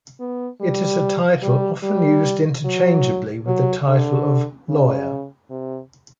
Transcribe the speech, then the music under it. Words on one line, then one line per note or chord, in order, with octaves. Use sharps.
It is a title often used interchangeably with the title of "lawyer".
B3
G3
G3
G3
F#3
F#3
D3
C#3
C3